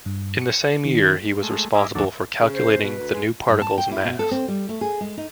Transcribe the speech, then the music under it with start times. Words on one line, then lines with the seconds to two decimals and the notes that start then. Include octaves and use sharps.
In the same year, he was responsible for calculating the new particle's mass.
0.06 G2
0.42 C#7
0.85 D#3
1.43 G#3 A3
1.75 D#4 D#5 E5 G#5 D6
1.95 D#2 F#3 D4 A4
2.40 C#3
2.54 C5
2.82 B2 B4
2.98 D2
3.14 G#3
3.48 G2
3.62 A5
3.78 G5
3.91 E4
4.05 B2
4.19 A4
4.31 C4
4.48 G3
4.69 A3
4.81 G#4
5.01 G#3
5.17 D#4